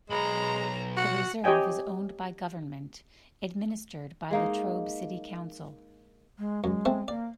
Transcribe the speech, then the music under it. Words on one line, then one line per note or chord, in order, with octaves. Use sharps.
The reserve is owned by government, administered by Latrobe City Council.
B1 G#3 C5 A#5 B5
F#4 F#5
G4 C#5 D#5 G5 G#5
G#3 A#3 D#4
G#3
F#2 G#3
A3 C4
A#3 D5